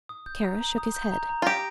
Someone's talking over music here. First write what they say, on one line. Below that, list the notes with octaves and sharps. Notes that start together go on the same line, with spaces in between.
Kara shook his head.
D#6
G6
A#5
A#5
D#6
G6
A#5
A#5
F4
G4 A#6